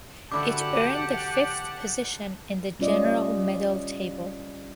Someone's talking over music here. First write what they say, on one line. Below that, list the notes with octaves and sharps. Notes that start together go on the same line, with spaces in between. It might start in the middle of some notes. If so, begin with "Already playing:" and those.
It earned the fifth position in the general medal table.
D3 E4 F#4 G4 F#5 A5 D6
G3 C#4 F4 D5 D#5